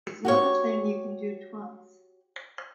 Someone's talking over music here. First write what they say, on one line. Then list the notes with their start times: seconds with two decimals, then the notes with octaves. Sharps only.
It's not a thing you can do twice.
0.25 F#4 G4 C#5